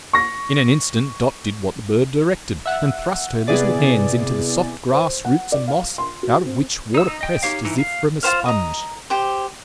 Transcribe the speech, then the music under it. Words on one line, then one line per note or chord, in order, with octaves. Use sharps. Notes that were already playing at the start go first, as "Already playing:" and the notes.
In an instant Dot did what the bird directed, and thrust her little hands into the soft grass roots and moss, out of which water pressed, as if from a sponge.
C#6 A#6
E5 F#5
C3 B3 E4 G#4 D5 A6
C5
F#5
D5
F5
C6
F#4
C4
D#4 E6
D#4
D#5 G5
D#4 G4 C#5 F5
E3 D#4 E4
F5
F4 F#4 C5 F5
D#5 A#5
G4 C5